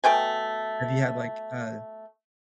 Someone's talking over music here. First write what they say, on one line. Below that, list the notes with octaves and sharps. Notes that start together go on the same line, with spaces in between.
Have you had, like, uh,
B2 A3 G5 G#5